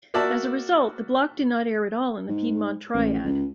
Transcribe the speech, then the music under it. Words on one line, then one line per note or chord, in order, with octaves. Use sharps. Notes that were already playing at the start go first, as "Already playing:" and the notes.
As a result, the block did not air at all in the Piedmont Triad.
A#3 F#4 D5 E5 A5
G#2
A1
C#2